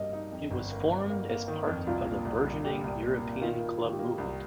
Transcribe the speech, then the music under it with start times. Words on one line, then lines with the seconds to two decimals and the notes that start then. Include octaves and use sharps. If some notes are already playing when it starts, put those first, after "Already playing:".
It was formed as part of the burgeoning European club movement.
Already playing: G2 A#3 D#5
0.13 D#4
0.32 F2
0.51 G1
0.71 A#3
0.91 G1
1.10 A#3
1.29 A#3
1.48 D#3
1.67 F2
1.87 C2 F4
2.06 A#2
2.25 C2
2.44 C2
2.64 A#2 G4
2.84 C2
3.03 A#2
3.22 A#2
3.41 D#3 F4
3.60 A#3
3.68 F4
3.80 D#3
3.93 G4
3.99 A#3
4.18 C2